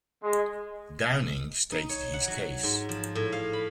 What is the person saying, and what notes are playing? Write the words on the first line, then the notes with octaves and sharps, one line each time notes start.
Downing stated his case.
G#3
D#4
C#5
F#5
F#3
G#2
F3
A2
F5
B5